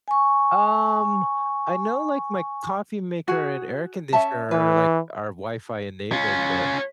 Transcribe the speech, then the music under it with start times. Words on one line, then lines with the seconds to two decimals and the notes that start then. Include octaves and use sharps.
Um, I know, like, my coffee maker and air conditioner are, like are Wi-Fi enabled, but
0.08 G#5 C#6
3.28 F#4 G#4
4.13 C#4 E5 A5
4.51 E3 B4
6.12 C#4 F4